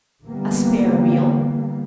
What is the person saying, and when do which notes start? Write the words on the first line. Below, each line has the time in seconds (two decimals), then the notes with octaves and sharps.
"A spare wheel?"
0.24 D3 E3 G3 A#3 B3